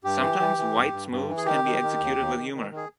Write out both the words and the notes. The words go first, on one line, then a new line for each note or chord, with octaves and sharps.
Sometimes White's moves can be executed with humour.
G2 G4
E3
E3
E3
G2
G2
G2
E3
G#4
D#3 G4
D#3
D#3
D#2
D#2
D#3
D#3
D#3
G#4